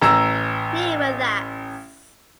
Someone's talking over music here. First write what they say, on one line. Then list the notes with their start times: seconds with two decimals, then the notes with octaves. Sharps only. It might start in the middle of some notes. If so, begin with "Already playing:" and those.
Kneel with us!
0.02 A1 A#5 E6